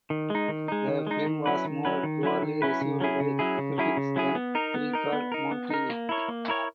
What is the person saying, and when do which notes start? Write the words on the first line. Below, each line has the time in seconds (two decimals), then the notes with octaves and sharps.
The film was more poorly received by critics than "Three Card Monte".
0.10 D#3
0.30 G#3 D#4
0.49 D#3
0.68 G#3 D#4
0.88 D#3
1.07 G#3 D#4
1.26 D#3
1.46 F#3 C#4 E4 B4
1.65 D#3
1.85 F#3 C#4 E4 B4
2.03 D#3
2.23 F#3 C#4 E4 B4
2.42 D#3
2.62 F#3 C#4 E4 B4
2.81 C#3
3.00 F#3 C#4 E4 G#4
3.20 C#3
3.39 F#3 C#4 E4 G#4
3.58 C#3
3.78 F#3 C#4 E4 G#4
3.97 C#3
4.16 F#3 C#4 E4 G#4
4.35 B3
4.55 D#4 A#4
4.74 B3
4.93 D#4 A#4
5.12 B3
5.32 D#4 A#4
5.51 B3
5.70 D#4 A#4
5.90 A#3
6.09 E4 A#4 C#5
6.28 A#3
6.48 E4 A#4 C#5